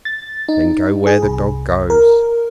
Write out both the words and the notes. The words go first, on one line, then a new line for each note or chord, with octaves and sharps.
Then go where the dog goes.
A6
D#4
G#4
C2
A#4